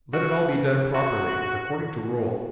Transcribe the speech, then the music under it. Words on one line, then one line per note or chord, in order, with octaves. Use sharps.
Let it all be done properly, according to rule.
F#4
F#4